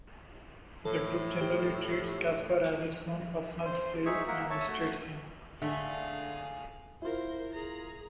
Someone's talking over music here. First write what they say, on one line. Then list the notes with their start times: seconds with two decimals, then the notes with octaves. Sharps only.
The group generally treats Casper as its own personal slave and mistreats him.
0.85 A2 A4
1.41 G4
3.66 C5 C6
4.06 D#4 G#4 E5 C#6
4.27 A#3 A#4 E5 F#5
4.50 C#5 E5 A5 C#6
4.68 A3 F#4
5.62 D3 A3 G#4 F5
7.02 E4 F4 A#4 C5
7.53 G#4 A#5